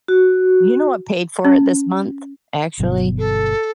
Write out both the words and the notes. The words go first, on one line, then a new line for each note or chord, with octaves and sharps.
You know, I paid for it this month, actually.
F#4
C#4
G1 B2 F#3
A4